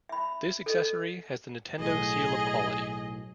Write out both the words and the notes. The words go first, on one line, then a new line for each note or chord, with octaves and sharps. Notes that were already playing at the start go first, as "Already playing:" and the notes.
This accessory has the Nintendo Seal of Quality.
E5 B5
A4 D#5
B1 A2 G#4 D#5